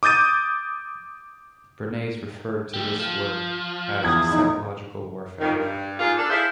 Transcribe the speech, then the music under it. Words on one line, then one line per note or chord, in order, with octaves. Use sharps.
Bernays referred to this work as "psychological warfare".
D6 D#6 G6 A6 D#7
A3 G4
F3
E2 D#6 G#6
D#4
F2 D#3
G2
G#2 A#3 F4 G#4
D4 A4
E4 G#4 C5 E5 F5